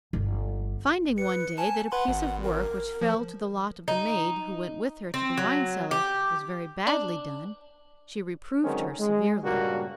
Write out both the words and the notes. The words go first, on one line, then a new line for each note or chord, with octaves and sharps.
Finding one day that a piece of work which fell to the lot of the maid who went with her to the wine-cellar was very badly done, she reproved her severely.
G1
B4 C#7
G#5 A5
B4 F#5 B5 C6
G#1
A#4
F3
D#4
C4
F#3
G4
D4
D3 D#3 F#3 G#3 C4 C#4
G#3
G2 A#2 C#3 G3 A#3 F#4